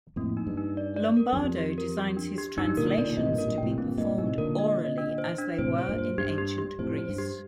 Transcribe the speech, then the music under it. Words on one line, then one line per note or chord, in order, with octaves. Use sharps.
Lombardo designs his translations to be performed orally, as they were in ancient Greece.
F2 A2 A#3
D#4
G2
D#4
D5
D5
A#4
G2
F2 G4
G4
A#4
G4
D4
G4
G2 D#4
A#2 D3 A#4
A#2 D3 D5
D3
A2 C3 D#5
G2 A#2
A#4
G2 A#2
A2 C3 G5
G2 A#2 C4
G2 A#2 D#5
A2 C3 D#4
A#2 D3 A#4
D#5
D#5
D4
C5
D4
A2 C3 C5
C5
G2 A#2
C5
G2 G4
G4
G4
F2 A2 C5
C5
G2
G4